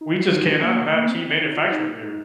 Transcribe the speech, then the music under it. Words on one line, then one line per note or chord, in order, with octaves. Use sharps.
We just cannot have cheap manufacturing here.
D#4
F4
D#4
D4
A#3
A3
A#3
C4
C4
D#4
F4
D#4
D#4